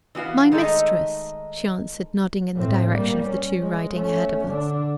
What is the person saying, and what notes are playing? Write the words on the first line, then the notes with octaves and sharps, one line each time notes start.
"My mistress," she answered, nodding in the direction of the two riding ahead of us.
E3 B3 F#4 F5
D#3 G#3 A3 D#4 A4
A2 C4
G3 A#3
C#4
G#3
A3 C#4
D3 D4